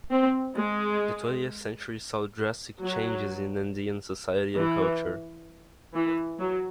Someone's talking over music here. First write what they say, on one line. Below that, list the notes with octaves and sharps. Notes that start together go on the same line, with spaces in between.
The twentieth century saw drastic changes in Andean society and culture.
C4
G#3
F#3
E3
E3
F#3